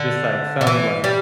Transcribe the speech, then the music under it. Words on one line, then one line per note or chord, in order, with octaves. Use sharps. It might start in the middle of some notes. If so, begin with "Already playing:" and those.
just, like, some, like,
Already playing: D3
D3
E3
G3